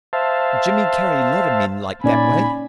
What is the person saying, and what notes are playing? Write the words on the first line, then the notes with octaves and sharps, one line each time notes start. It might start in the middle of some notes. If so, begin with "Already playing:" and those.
"Jimmy carry lot o' men like that way!"
C5 E5 F5 A5
A#2 A#3 C#4 D#4 D5 G#5 B5